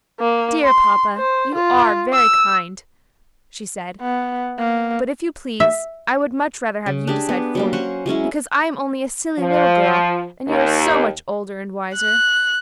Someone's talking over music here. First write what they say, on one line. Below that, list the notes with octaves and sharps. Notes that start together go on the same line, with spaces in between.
"Dear papa, you are very kind," she said, "but if you please, I would much rather have you decide for me, because I am only a silly little girl, and you are so much older and wiser."
A#3
C6
C5
F4
E6
B3
A#3
E5
C#3
D4 G4 G#4
B3
F#3 G3 A#3
C#4 C5 F#5 C#6
F#3 G#3 C#4 E4
F3
D#2
F#6